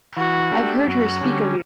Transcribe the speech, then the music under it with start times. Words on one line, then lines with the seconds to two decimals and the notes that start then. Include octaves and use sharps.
I've heard her speak of you.
0.17 E3 F#4
0.52 A3 D4 G4
0.86 F#2 F#4
1.21 D3 G3 C#4